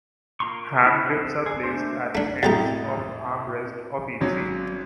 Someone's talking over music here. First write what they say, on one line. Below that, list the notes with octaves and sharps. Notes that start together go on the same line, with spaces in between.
Hand grips are placed at the ends of the arm rests of each seat.
A#3 F4 A#5 C6 C#6
E4
C4 G#4 A4 F#6
G#4
A3 A#3 D4 C5
A3 D4
B1 F2 A2 G4 A#5 A6
G#1 F#3 C#4